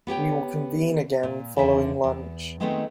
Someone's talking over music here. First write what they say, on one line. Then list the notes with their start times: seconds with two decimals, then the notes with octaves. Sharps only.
We will convene again following lunch.
0.07 B3 G4 C#5 G5
1.23 A#2
1.56 E2 D3 E5 G#5
2.04 E2
2.60 D#3 G#3 A3 B3 C4 D#4